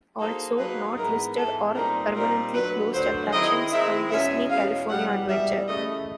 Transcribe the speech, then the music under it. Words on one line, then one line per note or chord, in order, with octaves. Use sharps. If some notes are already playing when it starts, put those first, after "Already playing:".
Also not listed are permanently closed attractions from Disney California Adventure.
F#3 A#3 D#4 G#4 A4 C5
F#3 A#3 D#4 G#4 B4 C5
G#2 E3 G#3 B3 A#4
G#2 E3 G#3 B3 A4
A#2 G3 C4 D#4 A#4
A#2 G3 C4 D#4 A#4
D2 D3 F#3 B4
D2 D3 F#3 C5
D#3 G#3 C4 E4 D#5
D#3 G#3 C4 E4 E5
E2 B2 G#3 C#4 E5
E2 B2 G#3 C#4 F5
E2 B2 G3 F#5
E2 B2 G3 E5
C#3 E3 A3 D#5